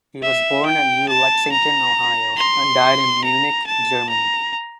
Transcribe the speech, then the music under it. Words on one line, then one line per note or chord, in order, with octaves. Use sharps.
He was born at New Lexington, Ohio, and died in Munich, Germany.
E5
G5
A5
A#5
C6
A#5
A5
A#5